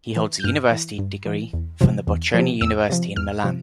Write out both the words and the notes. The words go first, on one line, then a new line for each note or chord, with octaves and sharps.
He holds a University degree from the Bocconi University in Milan.
E3
G6
G2 F6
E3
G2
E3
E2
C3 F3
E2
F3
C3
E2 E6
C3 F3
E2 F6
C3 F3